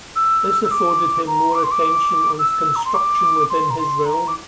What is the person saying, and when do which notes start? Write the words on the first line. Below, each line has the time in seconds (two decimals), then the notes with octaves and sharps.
This afforded him more attention on construction within his realm.
0.16 E6
0.64 E6
0.71 D6
1.27 A#5
1.55 D6
1.64 C6
1.71 D6
2.39 E6
2.76 A#5
2.85 C6
2.95 D6
3.50 C6
3.70 A#5
3.78 C6
4.06 A#5
4.28 D6